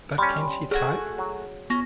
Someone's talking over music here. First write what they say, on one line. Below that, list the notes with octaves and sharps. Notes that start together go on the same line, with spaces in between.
But Can She Type?
G3 C#4 B5 C6
A3 F#4 G#4 G#5
F#3
B3 C#4 A#6